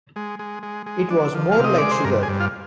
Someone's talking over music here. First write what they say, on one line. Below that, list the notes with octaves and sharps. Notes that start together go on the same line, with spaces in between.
It was more like sugar.
G#3
G#3
G#3
G#3
D4
F3
F5
C3
D#5
G#3 D5
C5
G2 A#4
G#4
G2
F4